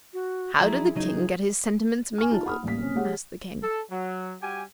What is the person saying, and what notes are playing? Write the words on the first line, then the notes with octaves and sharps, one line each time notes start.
"How did the King get his sentiments mingled?" asked the King.
F#4
F3 F#3 E4 G#4 C5 A#5
C#3 F#3 D#4 G#4 D#5
G#5 C#6 F6
D#4 F4 A5
F#5 B5 D#6 F6
A1 G3 A#3 B6
F#1 C3 C#4
G#3 G4 G#4 C#5 F#5
A4
F#3
G3 F#4 G4 G#5